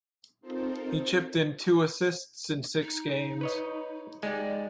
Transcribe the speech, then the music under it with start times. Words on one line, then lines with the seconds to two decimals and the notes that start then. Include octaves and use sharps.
He chipped in two assists in six games.
0.41 C4 D#4 F4 A4 A#4 C5
2.82 D#4
3.41 B4 C#5 D#5
4.23 G#3 D#4 G4 D5